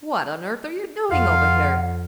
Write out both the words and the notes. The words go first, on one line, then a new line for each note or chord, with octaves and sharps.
"What on earth are you doing over here?"
F2 F4 F5 F#5